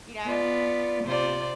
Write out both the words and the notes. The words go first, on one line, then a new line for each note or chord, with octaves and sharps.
You know?
B3 F4 D5
C3 F4 C5 D5